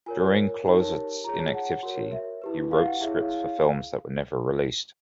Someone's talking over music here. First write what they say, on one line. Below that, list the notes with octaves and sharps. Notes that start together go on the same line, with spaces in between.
During Clouzot's inactivity, he wrote scripts for films that were never released.
F4 A#4 C#5 G#5
D#4 G4 A#4 C#5 A5
F4 G#4 C#5 A#5
A5
F#5
F#4 A#4 C#5
E5
E4 G4 B4
F5
F#5
E4 G#4 C#5 E5
E5
F5